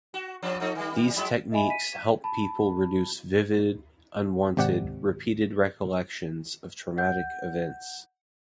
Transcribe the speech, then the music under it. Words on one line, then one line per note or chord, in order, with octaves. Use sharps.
These techniques help people reduce vivid, unwanted, repeated recollections of traumatic events.
F#4
G2 F3 D4
F3 A3 D#4
D#3 G3
F#3 G#3 E4
D#5 E5 G#5 B5
B6 D#7
A5 B5
G#1 C3 G4 D5 F#5
F#5 G6